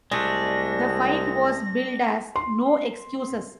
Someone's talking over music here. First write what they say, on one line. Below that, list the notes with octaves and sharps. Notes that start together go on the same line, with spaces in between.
The fight was billed as "No Excuses".
C2 G#3 A3 D4 A#6
C6